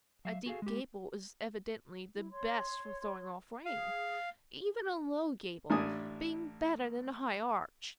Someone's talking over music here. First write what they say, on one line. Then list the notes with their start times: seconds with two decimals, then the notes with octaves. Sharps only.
A deep gable is evidently the best for throwing off rain; even a low gable being better than a high arch.
0.25 F#3 E5 F5
0.46 F#4 G#4 A4 F5
0.62 G#3 G4
2.15 E4
2.31 C#5 C6
3.66 G#4 F5
5.70 A1 D4 E4 G#5 D#6